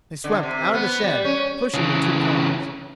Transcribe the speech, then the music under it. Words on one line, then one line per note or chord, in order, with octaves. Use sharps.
They swept out of the shed, pushing the two cars.
D3
C3
B3
G3
C#4
C#3 E3